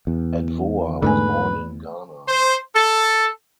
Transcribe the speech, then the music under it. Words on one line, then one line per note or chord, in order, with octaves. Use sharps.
Adwoa was born in Ghana.
E2
G#2 D3 A3 B4 G#5
C5
A4